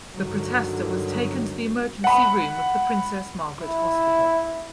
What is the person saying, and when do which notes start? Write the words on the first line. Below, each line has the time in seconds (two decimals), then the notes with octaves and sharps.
The protester was taken to the emergency room of the Princess Margaret Hospital.
0.14 G2 D3 D#3 F#3 G3
2.04 F#5 B5
3.59 E4